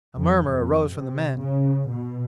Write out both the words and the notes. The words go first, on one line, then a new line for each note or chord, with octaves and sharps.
A murmur arose from the men.
F2
F2
C3
C#3
B2